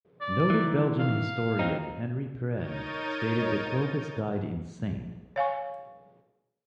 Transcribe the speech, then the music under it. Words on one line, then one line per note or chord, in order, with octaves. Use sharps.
Noted Belgian historian Henri Pirenne stated that Clovis died insane.
D5
D#3 E3
F5
F#3 C4 D#4
D#4 A#4 C#5 G6 A6 D#7
C#5 F5 G#5 C#6